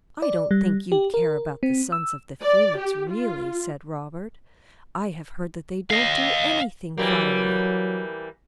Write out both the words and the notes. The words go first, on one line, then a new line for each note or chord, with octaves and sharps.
'I don't think you'd care about the sons of the Phoenix, really,' said Robert. 'I have heard that they don't do anything fiery.
D5
G3
G4
A#4
C4
E6
D5
G4
F4
D#5 F5
E3 F#3 G3 A#3